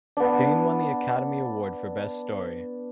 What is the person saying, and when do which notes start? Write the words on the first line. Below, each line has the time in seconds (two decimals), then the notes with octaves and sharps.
Dane won the Academy Award for Best Story.
0.17 B3 D4